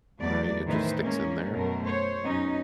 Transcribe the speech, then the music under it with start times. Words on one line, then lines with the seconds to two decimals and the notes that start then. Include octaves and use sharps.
right? It just sticks in there?
0.20 E2 F#3 A3 B3 D5
0.65 A2 D#3 E3 B4 C5 E5
1.00 G#3 A#3 C#4
1.51 F#2 B2 A3 A#4
1.83 C5 C#5
2.23 F#2 B2 C#4 D#4